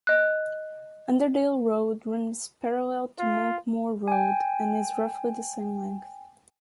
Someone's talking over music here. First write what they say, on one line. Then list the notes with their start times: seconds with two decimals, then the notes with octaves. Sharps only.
Underdale Road runs parallel to Monkmoor Road and is roughly the same length.
0.07 D#5 F#6
3.19 F4
4.08 G5 G#5